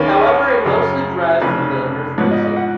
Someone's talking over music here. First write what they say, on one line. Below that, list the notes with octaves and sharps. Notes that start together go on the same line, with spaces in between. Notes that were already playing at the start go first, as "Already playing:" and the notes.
However he mostly drives for Lamers Racing.
Already playing: D#2 D#3 A#3 C#4 B4
C#5
F#2 C#3 F#3
F1 F2 C#3 B4
G#2 F3 B3 C#5
D#5
D#5
F#5